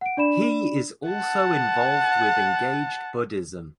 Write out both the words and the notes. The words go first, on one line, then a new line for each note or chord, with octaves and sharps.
He is also involved with Engaged Buddhism.
F#5 D7
D4 D5 B5 E7
F#5 A5